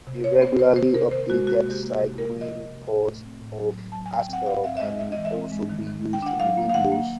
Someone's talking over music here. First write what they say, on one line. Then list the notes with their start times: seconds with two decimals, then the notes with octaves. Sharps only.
The regularly updated Cygwin port of aspell can also be used in Windows.
0.07 C3
0.24 C3 C#5
0.41 B3 C5
0.59 C3 C5
0.76 D#3 C5
0.94 C3 A#4
1.11 D#3 C5
1.30 G#3 F#4
1.47 A#3 F#4
1.65 C3
1.71 G4
1.83 A#3
2.00 C3
2.18 A#3 A#4
2.35 F3
2.41 D#5
2.53 C3
2.70 C3
2.87 A2
3.06 A3
3.23 C4
3.41 A2
3.58 F#3
3.76 F#3
3.92 F#3 A5
4.06 G#5
4.11 F#3
4.19 G5
4.29 C4 F#5
4.46 G#2 F5
4.64 C4 E5
4.77 E5
4.81 G#3 D#5
4.99 G#3 E5
5.12 E3 D#5
5.25 E5
5.34 C4
5.52 G#3
5.69 D#3
5.87 D#3
6.04 D#3
6.13 G5
6.22 D4 F#5
6.39 F#3 F5
6.57 A#3
6.69 F5
6.74 D#3 F#5
6.92 A#3